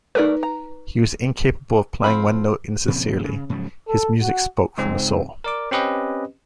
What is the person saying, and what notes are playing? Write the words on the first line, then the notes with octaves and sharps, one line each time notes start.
He was incapable of playing one note insincerely; his music spoke from the soul.
A3 D#4 A#4 B4 D5
A#5
F3 C4 B5
A#2 C#3 F3 C4
C#3
G#2 C#3 F3 F#3
A4
F#4
C#2 G#2 G#3 C4
A#4 D5 D6
C4 C#4 G4 B4 D#5